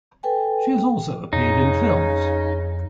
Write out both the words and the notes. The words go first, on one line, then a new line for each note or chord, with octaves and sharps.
She has also appeared in films.
A4 B4 G5 G#5
F2 C#3 D#4